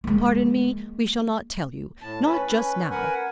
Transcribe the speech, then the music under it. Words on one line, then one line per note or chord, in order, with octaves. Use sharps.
"Pardon me, we shall not tell you--not just now."
G#3 A#3
A2 A5
C#4 B4
C#4 B4
A#4 B4 F#5 G#5